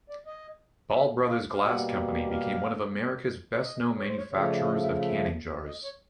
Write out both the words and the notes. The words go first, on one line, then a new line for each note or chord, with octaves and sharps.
Ball Brothers Glass Company became one of America's best-known manufacturers of canning jars.
D5
D#5
E5
F5
F5
B2 G3 A#3 F#5
F5
D#5
C#5
C5
C#5
C#3 F3 A3 C#5
C#5
D5
D#5
E5
E5
D#5
C#5